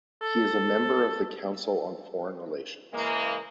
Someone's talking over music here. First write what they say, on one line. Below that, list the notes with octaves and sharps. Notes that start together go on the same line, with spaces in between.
He is a member of the Council on Foreign Relations.
A4
C#3 E3 G#3 A#3